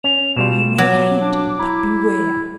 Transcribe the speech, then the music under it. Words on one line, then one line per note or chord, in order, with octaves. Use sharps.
You may hate, but beware!
C#4 F7
B2 G3 F4 E7
F#3 D6
D4
E4 A#5